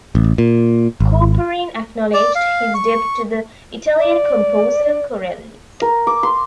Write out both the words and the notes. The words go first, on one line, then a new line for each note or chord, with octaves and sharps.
Couperin acknowledged his debt to the Italian composer Corelli.
A1
A#2
G#1
D5
F5
C#6
D5
A#4
D6
C6